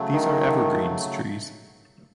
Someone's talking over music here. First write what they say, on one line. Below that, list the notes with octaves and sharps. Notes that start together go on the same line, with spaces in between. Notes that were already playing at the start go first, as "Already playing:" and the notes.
These are evergreens trees.
Already playing: C#3 F#3 A3
D#3